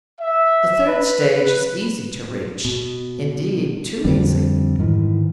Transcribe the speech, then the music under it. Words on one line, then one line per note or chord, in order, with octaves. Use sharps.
The third stage is easy to reach--indeed, too easy.
E5
B4
B2
F2 D3 G3
G#2 D#3 E3